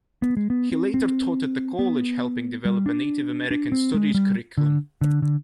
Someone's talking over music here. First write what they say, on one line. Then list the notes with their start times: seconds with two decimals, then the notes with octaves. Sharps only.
He later taught at the college, helping develop a Native American studies curriculum.
0.22 B3
0.37 G#3
0.50 B3
0.72 C4
0.94 C4
1.79 B3
2.65 G3
2.86 D4
3.51 D4
3.72 C4
3.94 G#3
4.15 G3
4.58 D3
5.01 D3
5.22 D3